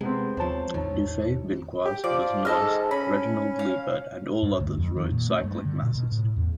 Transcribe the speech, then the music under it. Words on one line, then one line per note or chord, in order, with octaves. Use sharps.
Dufay, Binchois, Busnois, Reginald Liebert and others all wrote cyclic masses.
C3 G#3 B3 C4
D#2 F3 C5 C#5 A5
A1 E2 D#3 C#5 A5
G4
F3 D5
G#2 A4 D#5 F6
C#4 B5
F5
G2
D2
F2
D#3
A#2
A3
G2
D3
A#2
B2
A2
E2